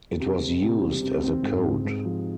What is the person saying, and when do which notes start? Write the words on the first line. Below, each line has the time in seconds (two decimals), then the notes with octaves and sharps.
It was used as a code.
0.20 C3
0.41 C4
0.62 C3
0.82 G3
1.02 C3
1.23 C4
1.43 G#2
1.65 C4
1.85 G#2
2.05 F3